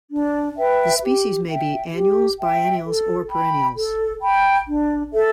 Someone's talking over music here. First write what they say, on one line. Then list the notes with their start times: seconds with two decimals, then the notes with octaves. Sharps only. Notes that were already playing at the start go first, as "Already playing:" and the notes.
The species may be annuals, biennials or perennials.
0.11 D4
0.57 B4 E5 G5
1.02 G4
1.48 E5 G5
1.93 G4
2.39 E5 G5
2.85 A4
3.30 G5 B5
3.75 A4
4.21 G5 B5
4.66 D4
5.12 A4 E5